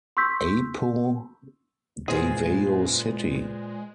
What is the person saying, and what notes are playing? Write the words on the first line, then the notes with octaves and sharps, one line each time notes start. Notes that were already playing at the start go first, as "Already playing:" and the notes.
Apo, Davao City.
C6 C#6 E6 G6 B6
A#2 G#3 G#4 B4 C5